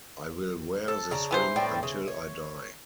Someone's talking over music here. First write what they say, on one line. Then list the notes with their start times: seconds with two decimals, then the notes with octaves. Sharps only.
I will wear this ring until I die.
0.88 A4
1.11 C#3 D4 A#5
1.31 E3 B3 C5
1.56 A2 D4 G5
1.83 C#3
2.08 C#5